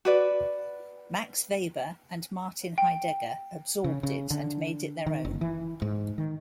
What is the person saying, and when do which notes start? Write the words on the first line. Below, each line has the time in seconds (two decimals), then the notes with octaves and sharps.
Max Weber and Martin Heidegger absorbed it and made it their own.
0.05 F#4 B4 D5
2.78 G5
3.84 C#3
4.03 C#3
4.31 D3
5.07 D#3
5.25 F#1
5.41 E3
5.82 G#2
6.18 D#3